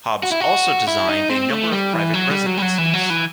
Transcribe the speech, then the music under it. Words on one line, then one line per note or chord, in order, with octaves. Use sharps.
Hobbs also designed a number of private residences.
F#4
E4
F#4
E4
D#4
C4
A3
G3
E3
F#3
G3
F#3
G3
F#3
E3
F#3
E3